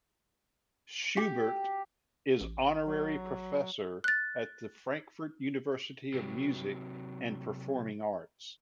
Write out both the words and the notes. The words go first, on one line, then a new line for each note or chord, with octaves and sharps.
Schubert is honorary professor at the Frankfurt University of Music and Performing Arts.
G4
A1
F#3
F#6 A6
C3 F#3